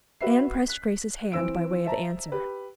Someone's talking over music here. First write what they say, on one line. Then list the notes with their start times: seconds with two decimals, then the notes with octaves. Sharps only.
Anne pressed Grace's hand by way of answer.
0.21 F#4 B4 E5 C7
0.68 F#6 B6
1.32 E3 C4 E6 D7
1.85 C5 E5 A5 A#5
2.32 G4 B4